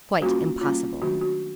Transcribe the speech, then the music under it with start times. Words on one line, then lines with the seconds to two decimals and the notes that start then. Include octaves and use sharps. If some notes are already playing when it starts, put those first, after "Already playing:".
Quite impossible!
0.22 G3 A#3 C#4 F4 F#4
0.61 G3 A#3 C#4 F4
1.02 D#3 F#3 A3 D4 F#4
1.21 F#4